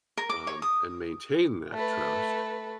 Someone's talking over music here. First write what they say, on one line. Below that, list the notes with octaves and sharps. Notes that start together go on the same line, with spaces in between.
um, and maintain that trust,
A#4
D6
C#5
D#6
A3 B4